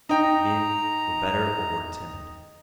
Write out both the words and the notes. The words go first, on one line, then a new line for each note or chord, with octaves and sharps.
Men were better, or more timid.
D#4 G5 A#5